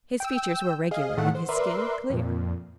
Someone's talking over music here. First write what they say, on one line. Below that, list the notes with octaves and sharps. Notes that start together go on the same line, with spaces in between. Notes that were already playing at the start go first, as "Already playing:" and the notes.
His features were regular and his skin clear.
G5 E6
G#4 D#5 F5
A2 D#3 A3 F#5
C5
A#4 B4 D5 E5 C6
F2 A#2